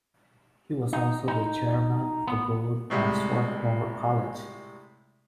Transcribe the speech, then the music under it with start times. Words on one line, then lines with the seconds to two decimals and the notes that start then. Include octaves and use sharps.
He was also the chairman of the board at Swarthmore College.
0.93 D#4
1.28 D#4
2.28 B3
2.90 A2 C3 G3 G#3